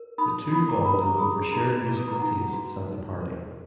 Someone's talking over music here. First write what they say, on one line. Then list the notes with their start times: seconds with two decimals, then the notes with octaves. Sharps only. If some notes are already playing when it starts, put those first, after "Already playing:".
The two bonded over shared musical tastes at the party.
Already playing: A#4
0.18 D#4 B5 D#6
0.52 D#4 B5 D#6
0.69 A#5 D6
0.85 A#4 B5 D#6
1.02 A#5 D6
1.19 G#4 B5 D#6
1.52 D#4 A#5 D6
1.86 B4 D6
1.97 D#6
2.08 A#5 D6
2.19 D#4 F#5 A#5
2.53 F#4
2.87 D#4
3.20 A#4